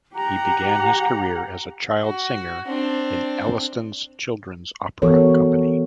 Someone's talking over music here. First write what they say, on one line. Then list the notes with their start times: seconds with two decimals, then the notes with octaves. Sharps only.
He began his career as a child singer in Elliston's Children's Opera company.
0.15 G4 F#5 A#5
2.03 F#4
2.66 C4 D4
5.02 E3 B3 F#4 A4 A#4 C#5